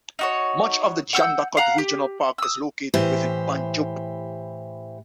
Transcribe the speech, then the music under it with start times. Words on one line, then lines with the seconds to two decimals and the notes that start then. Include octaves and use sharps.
Much of the Jandakot Regional Park is located within Banjup.
0.19 D#4 F#4 C#5
1.13 F#5 E6 G6
1.57 F5 F#5 A#5
1.78 G4
2.38 D#6 E6
2.94 A2 E3 G4 C5